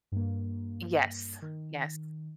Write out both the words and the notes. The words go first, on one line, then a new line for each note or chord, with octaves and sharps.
Yes, yes.
G2 A#3
D#3